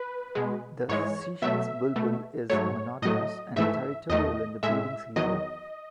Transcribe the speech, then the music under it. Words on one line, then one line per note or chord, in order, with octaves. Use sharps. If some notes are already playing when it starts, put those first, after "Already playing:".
The Seychelles bulbul is monogamous and territorial in the breeding season.
Already playing: B4
B2 G#3
G#2 E3 G#3 C#5
B2 F#3 A3 E5
B2 A3
G#2 F#3 A3 C#5
A2 F#3 A3 D#5
G#2 E3 A3 E5
E2 D#3 A3 D#5
A2 G#3 E5
E2 D#3 F#3 D#5